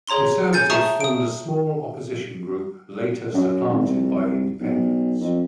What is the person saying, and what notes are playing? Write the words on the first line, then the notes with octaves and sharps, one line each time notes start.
Conservatives formed a small opposition group, later supplanted by Independents.
G#4 C#5 A#5 C6 G7
G#5 G6 A6 C#7
E5 A5 A#5 C#6 D#6
D#6 D7
F#2
G#1
C2
B1
F2